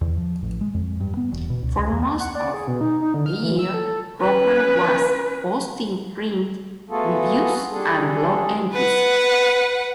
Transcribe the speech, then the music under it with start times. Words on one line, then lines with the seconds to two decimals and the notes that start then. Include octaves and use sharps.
For most of the year Roeper was posting print reviews and blog entries.
0.01 E2
0.17 F3
0.42 A1
0.61 G#3
0.74 F2
1.00 G2
1.17 B3
1.32 E1
1.50 B2
1.62 C#2
1.78 C#2
1.93 E2
2.19 F#5
2.35 D5
2.54 G#4
2.68 B2
2.81 D#4
3.01 D#4
3.14 D3
3.26 F6
3.43 E3
3.59 E6
3.74 A4
3.86 A4
4.21 C#4 B4
6.89 A3 B3 F4 F#4 G#4 A4
7.70 G3 G#3 D4 G#4 A4
8.74 B4 F#5